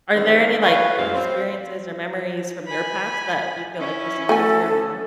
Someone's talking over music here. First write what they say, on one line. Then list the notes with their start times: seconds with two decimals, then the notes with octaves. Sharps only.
Are there any, like, experiences or memories from your past that you feel like were similar to your mom's?
0.15 D#3 E3 G#3 A3 C4 D4
0.63 B4 C#5 F5
0.97 F#2 A#2 G#3 E4 C5 F5
1.14 C4
2.67 G#5 B5
3.78 C#4 E4
4.29 A3 F#4 A4 G#5